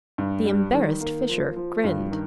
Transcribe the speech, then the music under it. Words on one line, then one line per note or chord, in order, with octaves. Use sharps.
The embarrassed Fisher grinned.
G2
G3
D#3
A#3
F3
F3
G2
D#3